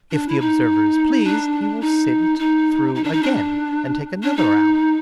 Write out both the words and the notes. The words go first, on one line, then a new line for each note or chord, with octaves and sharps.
If the observer is pleased, he will sit it through again and take another hour.
D4
E4
D#4
D4
D#4
D#4
D#4
D4
D#4
D4
D4
D#4